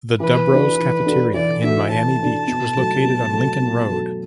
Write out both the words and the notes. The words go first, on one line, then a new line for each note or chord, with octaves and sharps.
The Dubrow's Cafeteria in Miami Beach was located on Lincoln Road.
E3 B4
D4 F#4 A4
E3
D4 F#4 A4
E3 D5
D4 F#4 A4 E5
E3 A5
D4 F#4 A4
B2
F#3 A3 F#4 A4
B2
F#3 A3 F#4 A4
B2
F#3 A3 F#4 A4